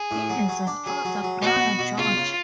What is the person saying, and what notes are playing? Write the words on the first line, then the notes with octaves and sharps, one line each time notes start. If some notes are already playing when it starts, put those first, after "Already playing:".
He has an older brother, George.
Already playing: G#4
A2
F#3
F#3
D4
F#3 G#4
F#3
F#3
B2 F#4
B3
B2
C#3 F4
C#3